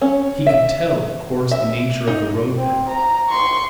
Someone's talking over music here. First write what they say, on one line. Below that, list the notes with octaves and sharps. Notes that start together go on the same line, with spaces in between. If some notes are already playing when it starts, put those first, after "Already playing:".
He could tell, of course, the nature of the roadbed.
C#4
E5
E5
D#4
C4
A#5
C6 C#6